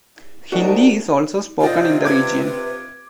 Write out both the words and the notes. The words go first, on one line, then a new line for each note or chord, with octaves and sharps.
Hindi is also spoken in the region.
C2 A3 D4 D#4 F#4
C3 F4 C5 D5 D#5
B4 D6 G#6